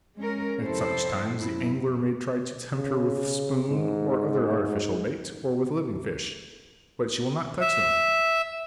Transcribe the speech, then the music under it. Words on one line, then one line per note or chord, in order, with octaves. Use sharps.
At such times the angler may try to tempt her with spoon or other artificial bait, or with live fish, but she will not touch them!
G#3 C#4 A#4
F2 C3 C4 E4 A4 C5
F#2 E4
C#3
G#2
E5